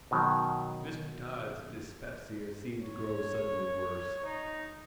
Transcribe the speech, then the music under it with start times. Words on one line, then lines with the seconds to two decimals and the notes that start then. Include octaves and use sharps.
Mr. Todd's dyspepsia seemed to grow suddenly worse.
0.11 B2 D#3 F#3
2.81 C#5
4.25 D#4